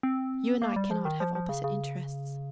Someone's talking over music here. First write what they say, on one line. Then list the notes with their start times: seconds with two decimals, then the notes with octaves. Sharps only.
You and I cannot have opposite interests.
0.03 C4
0.62 A#3
0.76 G3
0.91 F3
1.05 D#3
1.20 F3
1.35 F3
1.49 C#3
1.64 C#3